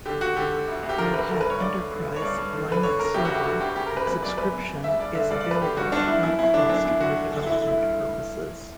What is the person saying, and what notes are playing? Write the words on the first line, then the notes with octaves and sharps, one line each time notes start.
Red Hat Enterprise Linux Server subscription is available at no cost for development purposes.
D3 G4
D3 F#4
D3 G4
D3
D2
D2
G4
D3 A#4
D2 B4
D3 A#4
G2 B4
C#5
D3 D5
D3
D3
D3
C#5
G2 D5
G2
D3
D3 B4
D3 C#5
D3 A#4
D2 G4
D2 F#4
G4
D3 F#4
D2 G4
C#3 G4
A#4
C#3
B4
F#2 B4
F#2 D5
F#2 B4
F#2
F#2
C#3 E5
G2 D5
D3 E5
G2 D5
G2 D5
B4
D3 G4
G2 F#4
G2 D4
G2 E4
F#2 E4
F#2 E4
D3 D4
F#2 D4
F#2 E4
D3 F#4
D3
D3
D3 E4
E4
D3
E4
G2
D3
G2